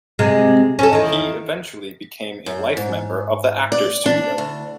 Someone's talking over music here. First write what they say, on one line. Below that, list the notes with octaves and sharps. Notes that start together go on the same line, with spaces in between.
He eventually became a life member of The Actors Studio.
C3 G#3
C#4 A4
E2 D#3
F#2
G#2
D5
D4
D2